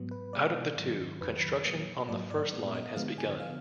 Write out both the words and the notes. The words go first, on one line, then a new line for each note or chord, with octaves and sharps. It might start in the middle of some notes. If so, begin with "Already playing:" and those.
Out of the two, construction on the first line has begun.
Already playing: G#2 F#3 B3
B4
B2 G#3 B3 D5
G#2 D#3 F#3
F2 D#3 F#3 B4
A#2 F#3 A#3
G#2 F#3 A#3 D5
D5
A#2 G#3 B3 D5
D#5
D3 F3 G#3 B3 F5
G#5
D3 F3 B3 F5